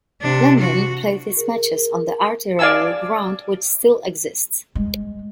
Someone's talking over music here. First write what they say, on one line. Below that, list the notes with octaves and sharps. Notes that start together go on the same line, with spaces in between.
London played its matches on the Artillery Ground, which still exists.
C3 D4
F#4
G#4 A#4
D5 F5 G#5 A5 E6
G#3